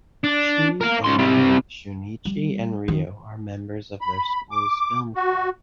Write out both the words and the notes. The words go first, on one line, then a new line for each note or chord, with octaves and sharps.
She along with Shunichi and Riho are members of their school's film club.
D4
A#4 F5
C#2 C6
C3 G3
G3
D#3
B5
D6
F#4